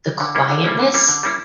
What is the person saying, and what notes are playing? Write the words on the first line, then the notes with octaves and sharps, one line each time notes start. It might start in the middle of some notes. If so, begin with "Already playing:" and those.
the quietness
D3
G3 A#3 C#4 E4
D3
G3 A#3 C#4 E4
D3
G3 A#3 C#4 E4
D3
G3 A#3 C#4 E4